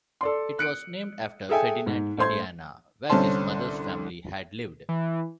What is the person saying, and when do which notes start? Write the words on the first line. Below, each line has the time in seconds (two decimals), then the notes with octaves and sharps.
It was named after Ferdinand, Indiana, where his mother's family had lived.
0.21 A4 D5 C6
0.59 F#6 C#7 D7
1.49 G#4 A4 E5 G5 G#5
1.86 G#2
2.17 A1 A3 C5 C6 G#6
3.09 C2 D3 C#4 C5 A5 C6
4.89 E3